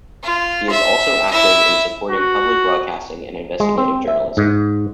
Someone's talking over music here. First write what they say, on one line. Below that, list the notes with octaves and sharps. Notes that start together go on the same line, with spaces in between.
He is also active in supporting public broadcasting and investigative journalism.
F4
E5
E4 E5
F#4
G#3
C4
E5
G#2